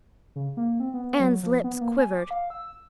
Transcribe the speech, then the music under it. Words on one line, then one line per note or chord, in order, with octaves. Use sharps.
Anne's lips quivered.
C#3
A#3
C4
B3
F#3
F3
B3
A#3
G#5
D6
F5
E6